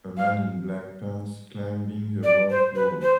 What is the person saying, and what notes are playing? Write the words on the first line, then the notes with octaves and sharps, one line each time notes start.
A man in black pants climbing a rock wall.
F5
D5
C5
B4
C5